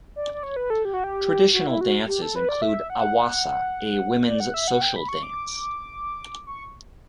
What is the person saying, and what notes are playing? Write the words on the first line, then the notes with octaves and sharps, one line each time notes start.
Traditional dances include "awasa", a women's social dance.
D5
D5
C#5
B4
A4
G4
F#4
G4
F#4
E4
F#4
G4
A4
B4
D5
E5
F#5
D5
F#5
E5
F#5
G5
B5
C#6
D6
C#6